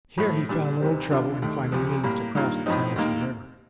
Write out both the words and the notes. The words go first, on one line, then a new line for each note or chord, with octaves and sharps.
Here he found little trouble in finding means to cross the Tennessee River.
A2 F3 A3
A#2 G3 D4
D2 C3 D#3 G3 C4
D#2 D3 G3 D4 F4
D#2 D#3 A3 D#4
D2 C3 F3
A2 G3 A#3
G2 D#3 A#3 F4
A2 F3 C4 D#4
D#2 D#3 A#3